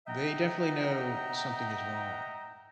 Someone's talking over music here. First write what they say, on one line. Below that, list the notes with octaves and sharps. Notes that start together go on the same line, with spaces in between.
they definitely know something is wrong
D#5 E5 F#5 G5 A#5